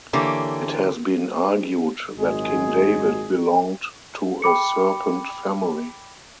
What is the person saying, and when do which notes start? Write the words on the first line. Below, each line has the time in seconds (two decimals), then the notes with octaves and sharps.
It has been argued that King David belonged to a serpent family.
0.13 D3 E3 A#3 G4 C#5
2.15 G#1 A#2 F#3 G#3 F#4 G#4
4.42 G5 B5 D6 C#7